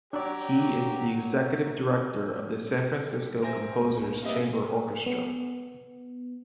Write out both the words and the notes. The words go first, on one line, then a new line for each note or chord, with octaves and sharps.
He is the Executive Director of the San Francisco Composers Chamber Orchestra.
F#3 D4 G4 C#5 D5 A#5 D6
G4
A#4 C5 E5 G#5 G6 A#6
C#2
A#3 C4 G4 B4 D#5 E5
B3